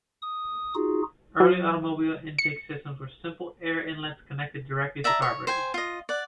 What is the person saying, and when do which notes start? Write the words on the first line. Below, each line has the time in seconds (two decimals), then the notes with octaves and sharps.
Early automobile intake systems were simple air inlets connected directly to carburetors.
0.22 D#6
0.75 D#4 F4 F#4 G#4
1.40 F#3
2.38 C#7
5.04 D5 E5 A5 A#5
5.22 C#5
5.47 C5 G5 G#5
5.74 F4 D#5
6.09 D5 F#5